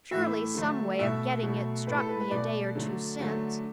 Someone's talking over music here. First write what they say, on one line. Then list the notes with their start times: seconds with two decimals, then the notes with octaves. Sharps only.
Surely some way of getting it struck me a day or two since?
0.11 A2 E3 A3 E5
0.54 D3 F#3 A3
0.99 B2 A3 E5
1.43 B2 F#3 A3
1.87 A2 A3 B4
1.98 A4
2.09 B4
2.20 B4
2.31 B2 A3 D5
2.75 D3 F#3 A3
3.19 D3 F#3 A3